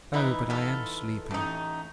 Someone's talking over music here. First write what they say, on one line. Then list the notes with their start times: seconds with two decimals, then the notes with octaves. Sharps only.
Oh, but I am sleepy!
0.14 E3 D#4 E4 B4
0.50 B3 F4 A4
1.31 A1 A3 D#4